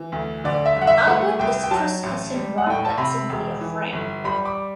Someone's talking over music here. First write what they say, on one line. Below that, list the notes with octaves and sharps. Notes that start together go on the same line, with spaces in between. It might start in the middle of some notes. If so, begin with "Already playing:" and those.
Albert is Chris's cousin rather than simply a friend.
Already playing: E3
D2
D3 D5
E5
G1
F#5
E5
A3 F#5
C2 G5
G5
F#3 A5
A1
G3
F#5
A2 G5
A5
C3 B5
E1
E3
G1
G3 B5
D6